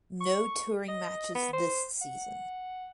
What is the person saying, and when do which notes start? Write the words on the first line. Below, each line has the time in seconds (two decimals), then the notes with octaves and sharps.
No touring matches this season.
0.21 C#6
0.88 D#5
1.35 B3
1.53 C5
2.02 F#5